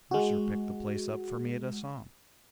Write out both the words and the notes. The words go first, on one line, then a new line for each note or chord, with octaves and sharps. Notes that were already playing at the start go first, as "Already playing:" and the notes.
Mercer picked the place up for me at a song.
G#3 F#4